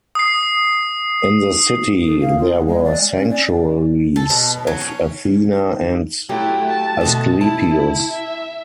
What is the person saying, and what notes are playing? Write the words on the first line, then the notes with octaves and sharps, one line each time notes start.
In the city there were sanctuaries of Athena and Asclepius.
D#6 C7
A4
F5
F4
B3
G#3
D5
G#5
C#4
D5
A4
B2
F#3
C#4
F#3 A3 E4 F#4 G4
A5
B2 D3 A3
E4 A5
E5